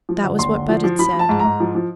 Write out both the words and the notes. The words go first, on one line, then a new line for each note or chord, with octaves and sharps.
That was what Budd said.
F3
D3
D#2 C6
D3
F3
F3
F3 B5
F3
A5
G#2
G#2 A#5
F3
F3